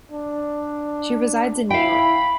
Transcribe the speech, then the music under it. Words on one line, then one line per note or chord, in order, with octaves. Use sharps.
She resides in New York.
D4
E4 F5 G5 B5